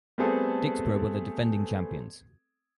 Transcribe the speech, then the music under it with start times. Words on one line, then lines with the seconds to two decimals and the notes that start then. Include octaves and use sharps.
Dicksboro were the defending champions.
0.18 G3 A3 B3 C4 G#4 A4